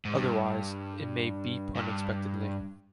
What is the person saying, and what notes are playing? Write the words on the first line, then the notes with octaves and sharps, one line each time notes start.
Otherwise, it may beep unexpectedly.
G#2
G2
G2